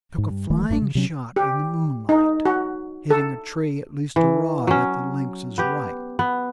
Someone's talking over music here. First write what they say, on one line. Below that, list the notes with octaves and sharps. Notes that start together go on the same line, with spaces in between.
He took a flying shot in the moonlight, hitting a tree at least a rod at the lynx's right.
G#2
G2
D#1 D#3 E3 A3
F1 G2 C3 D4
C#3
C3 F#3 C#4
G4
D#4
F#4
A4
E3
F#3 C#4
B3 G4
B3